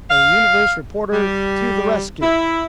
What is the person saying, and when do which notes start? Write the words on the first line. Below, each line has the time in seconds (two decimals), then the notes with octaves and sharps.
A 'Universe' Reporter To the Rescue!
0.10 F5
1.13 G3
2.22 E4